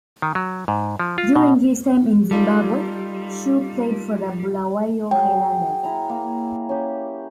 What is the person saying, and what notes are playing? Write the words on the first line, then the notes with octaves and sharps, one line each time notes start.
During his time in Zimbabwe, Shue played for the Bulawayo Highlanders.
D#3
F#3
G#2
F3
F4
B2
G3 D#4 F4 A4
F#3 G#4 G5
E4 A#5
A#3
C#4 G4